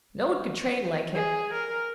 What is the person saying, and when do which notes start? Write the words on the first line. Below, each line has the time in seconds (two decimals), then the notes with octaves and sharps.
No one could train like him.
1.15 G#4
1.54 A#4